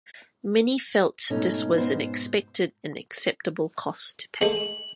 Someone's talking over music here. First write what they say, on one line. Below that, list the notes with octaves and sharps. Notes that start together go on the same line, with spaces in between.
Many felt this was an expected and acceptable cost to pay.
G#2 B2 A3 C#4 D#4
B3 C5
G#3 A3 F#7